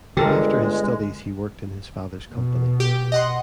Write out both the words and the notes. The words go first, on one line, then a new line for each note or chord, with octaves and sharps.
After his studies, he worked in his father's company.
G1 D3 G#3 G4 A4 A#4
B2
G4
D#5 F#5 C6